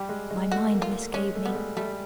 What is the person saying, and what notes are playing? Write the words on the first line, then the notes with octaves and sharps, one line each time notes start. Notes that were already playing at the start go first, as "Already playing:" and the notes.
'My mind misgave me.
Already playing: G3 G4
G#3
G#3
A3 F#4
A#3
F4
A3
G#3 C#4
A3
G3 B3
G#3
G3 A3